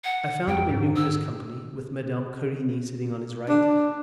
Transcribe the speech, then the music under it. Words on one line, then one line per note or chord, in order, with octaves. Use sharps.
I found him in numerous company, with Madame Querini sitting on his right.
F#5
F2 G5
G#2
E6
D4